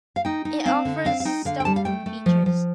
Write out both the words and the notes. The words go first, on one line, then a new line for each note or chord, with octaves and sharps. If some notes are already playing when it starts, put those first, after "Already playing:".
It offers stealth features.
F5
D#4 G5
D#4
C4 F5
D3
C4 F5
F5
D#4 G5
D3 F5
G5
G3 A5
F5
A3 G5
A3
F3
F3